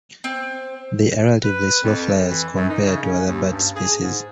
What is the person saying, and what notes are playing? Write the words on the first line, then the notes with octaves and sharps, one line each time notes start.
They are relatively slow flyers compared to other bat species.
C4
B4
F2
E3
F#2
D#4
C#3
C#4
D#2
G2
G#4
G#2